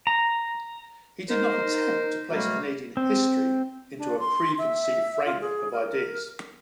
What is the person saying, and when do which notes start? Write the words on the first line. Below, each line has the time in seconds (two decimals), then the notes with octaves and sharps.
He did not attempt to place Canadian history into a preconceived framework of ideas.
0.07 A#5
1.29 D#4 A#4 C5
2.31 B2 F#3 G3 A3 A#3
2.97 C4
3.98 D4
4.19 C6
4.58 E5
5.26 F4
5.41 G#4
5.73 A#4